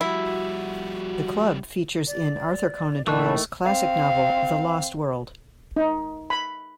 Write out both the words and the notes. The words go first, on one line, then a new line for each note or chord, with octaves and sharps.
The club features in Arthur Conan Doyle's classic novel, "The Lost World".
F3 G3 E4 F#4
D5
A#2 D#3 E3 A3 A5 C#6 F#6
C4 F5
D#4
B5